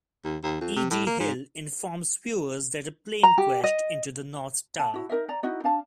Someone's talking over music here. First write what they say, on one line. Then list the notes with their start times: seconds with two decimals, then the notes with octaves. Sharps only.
E. D. Hill informs viewers that a plane crashed into the North Tower.
0.24 D#2
0.43 D#2
0.61 F2
0.76 C3
0.90 A2
1.07 A#3
1.20 G#2
3.23 A#5
3.38 G4
3.64 D#5
4.79 A5
4.94 E4 F#4
5.09 D#4 A#4 D#5 E5
5.28 D5 A#5
5.43 D#4 E4 F#4 D#5
5.64 D4 F5 A5